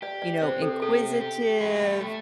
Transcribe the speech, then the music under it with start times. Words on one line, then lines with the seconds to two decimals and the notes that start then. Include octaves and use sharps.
you know, inquisitive.
0.02 G4 D5
0.22 D5
0.42 C4 C5
0.62 A4
0.82 G4 A4
1.21 G4
1.61 A3
2.00 A3